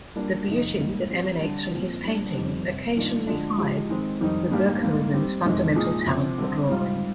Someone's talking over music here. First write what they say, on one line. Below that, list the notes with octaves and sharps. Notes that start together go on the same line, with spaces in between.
The beauty that emanates from his paintings occasionally hides Verboeckhoven's fundamental talent for drawing.
G3 A#3 D4 F4 A#4
F2 C3 D#3 A#3 D#4
G#2 D#3 G3 A#3
F3 C4 G4 C5
D3 G3 D4
A#2 F3 C4
A#2 G3 D4
F2 D#3 G3 C4 G4
C3 G3 C4
G2 D#3 A#3 D4 F4
D3 F3 G#3 D4
G#2 F3 G#3 D#4 G4
D#3 G#3 C4
F2 D#3 G3 C4 D#4
G#2 G3 A#3 D4 G4
G#2 G3 A#3
G3 C4 G4
F2 C3 D#3 G#3 C4
A#2 F3 G#3 D#4 G#4
C3 F3 C4
D3 G3 C4
G#2 G3 C4 F4